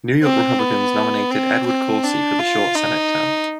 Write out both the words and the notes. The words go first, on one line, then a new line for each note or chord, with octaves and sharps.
New York Republicans nominated Edward Corsi for the short Senate term.
C4
B3
C4
C4
D4
F4
D#4